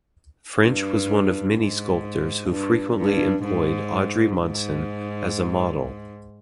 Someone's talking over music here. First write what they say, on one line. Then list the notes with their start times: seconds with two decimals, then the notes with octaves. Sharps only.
French was one of many sculptors who frequently employed Audrey Munson as a model.
0.61 G2
1.55 G#2
2.50 G2
2.97 G2
3.45 G#2
4.39 G#2